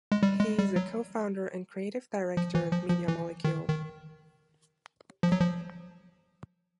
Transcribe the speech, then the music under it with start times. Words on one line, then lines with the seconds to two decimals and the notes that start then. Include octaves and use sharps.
He is a co-founder and creative director of Media Molecule.
0.12 G#3
0.23 G3
0.40 G#3
0.59 G3
0.76 F#3
2.37 F3
2.55 E3
2.72 F3
2.90 F3
3.08 E3
3.45 D#3
3.69 D#3
5.23 F3
5.32 F#3
5.40 F3